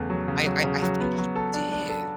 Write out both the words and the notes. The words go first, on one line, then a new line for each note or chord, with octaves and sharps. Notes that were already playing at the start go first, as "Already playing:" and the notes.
I I I think he did.
Already playing: E2 C#3 A3
F#3
C#3
F#3
C#3
F#3
B3
F#3
A4
D4
D4
A4